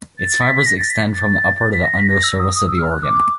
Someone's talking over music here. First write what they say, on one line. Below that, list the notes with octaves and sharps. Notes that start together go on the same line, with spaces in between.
Its fibers extend from the upper to the under surface of the organ.
A6
B6
A#6
A6
B6
A6
A6
B6
A#6
B6
A#6
E6
D#6
D#6
E6
F6
F#6
D6